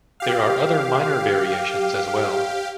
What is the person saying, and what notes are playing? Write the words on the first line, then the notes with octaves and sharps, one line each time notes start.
There are other minor variations as well.
G4 F5